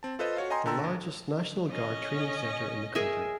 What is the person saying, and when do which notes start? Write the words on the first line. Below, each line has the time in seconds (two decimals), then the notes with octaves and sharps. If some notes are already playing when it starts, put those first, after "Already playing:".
The largest National Guard training center in the country.
0.03 C4 A5
0.19 F4 A4 B4 C5 D#5
0.37 F#4 C#5 F5
0.50 D#5 G5 G#5 A#5 C6 D#6
0.66 D3 G5 A5 A#5 E6
0.84 G#1
1.70 C#4 D#5
2.95 G#4 A#4 E5